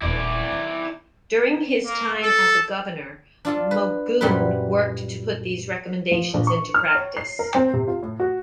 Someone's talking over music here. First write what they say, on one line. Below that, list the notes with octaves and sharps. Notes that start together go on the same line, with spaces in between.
During his time as a governor, Magoon worked to put these recommendations into practice.
D#1 B3 E4 D5
D#3
A#3
A4
D4 F4 A4
B4
F#2 A#2 G3 E4 B4
F3
A#1
C#6
F6
C#5
C7
A#4
C4
C3
F4
A2
F#4